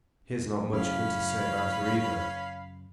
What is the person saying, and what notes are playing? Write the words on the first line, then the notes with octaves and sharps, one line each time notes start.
"He has not much good to say about her either."
F#2 C#3 C#4 E4 F5 B5